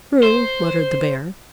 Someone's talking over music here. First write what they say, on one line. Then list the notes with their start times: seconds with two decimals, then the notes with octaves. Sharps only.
"True," muttered the Bear.
0.23 C5